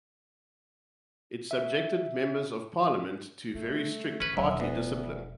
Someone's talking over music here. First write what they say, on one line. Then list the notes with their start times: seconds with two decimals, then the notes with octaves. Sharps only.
It subjected Members of Parliament to very strict party discipline.
1.51 E5
3.55 G3 A3
4.20 D3 D#3 C#4 B4
4.37 E1 F#2 F#3 E5
4.60 D2 B3